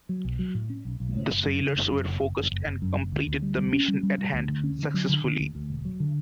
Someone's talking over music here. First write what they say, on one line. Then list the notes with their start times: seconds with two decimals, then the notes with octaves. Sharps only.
The sailors were focused and completed the mission at hand successfully.
0.09 F#3
0.25 B1
0.39 F#3
0.55 A2
0.70 C#4
0.85 B1
1.00 B1
1.15 A2
1.30 F#1
1.45 F#2
1.60 C#3
1.75 F#1
1.91 F#2
2.06 F#1
2.22 F#1
2.37 F#1
2.52 F#1
2.66 F#1
2.82 F#2
2.97 F#1
3.12 D2
3.27 D2
3.42 G3
3.58 G3
3.73 C#4
3.88 G3
4.03 G3
4.18 G3
4.33 D2
4.49 D3
4.64 C#4
4.79 D3
4.94 F#3
5.09 D3
5.24 D3
5.40 D2
5.55 D2
5.70 E1
5.85 F#3
6.00 D3